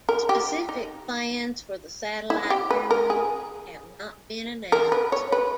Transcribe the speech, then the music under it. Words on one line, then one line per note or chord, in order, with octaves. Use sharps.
Specific plans for the satellite terminal have not been announced.
A#4
G4
D#4
E4
G4
B4
A#4
G#4
A#4
B4
C#5
B4